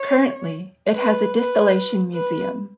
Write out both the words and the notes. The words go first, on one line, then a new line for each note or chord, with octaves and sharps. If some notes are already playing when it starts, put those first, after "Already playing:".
Currently it has a distillation museum.
Already playing: C#5
B4
B4
B4